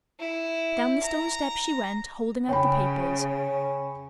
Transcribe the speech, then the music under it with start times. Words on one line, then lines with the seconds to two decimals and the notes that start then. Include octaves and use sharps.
Down the stone steps she went, holding out the papers.
0.20 E4
1.03 A#5
2.49 C#3 C#4 G5 B5